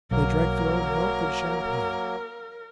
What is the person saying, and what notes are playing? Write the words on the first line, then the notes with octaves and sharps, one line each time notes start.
They drank their own health in champagne.
B1 F#3 A#3 A#4